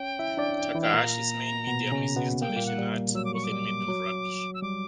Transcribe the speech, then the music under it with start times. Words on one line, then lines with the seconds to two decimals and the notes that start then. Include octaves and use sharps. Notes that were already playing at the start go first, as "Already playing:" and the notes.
Takahashi's main medium is installation art, often made of rubbish.
Already playing: C#4 C#5 G5
0.19 E4 E5
0.37 D4 D5
0.75 E3 E4
0.82 G5
0.93 A#2 A#3 A#5
1.67 B2 B3
1.91 C#3 C#4
2.16 B2 B3
2.41 A#3 G5
2.49 G3
2.57 A#2 A#3
2.66 F#5
2.78 G3
3.15 F#3 E6
3.25 D6
3.34 C#6
3.44 D6
3.52 G3
3.88 F#3
4.54 E6
4.62 G3 D6